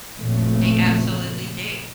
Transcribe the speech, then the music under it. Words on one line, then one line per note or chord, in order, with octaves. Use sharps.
They absolutely do.
F#1 F2 A#2 C#3 A3